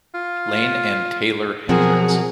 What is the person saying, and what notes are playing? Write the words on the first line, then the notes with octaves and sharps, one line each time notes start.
Lane and Taeler Hendrix.
F4
B2 F3 F#3 C4 F#4 G#4 A#4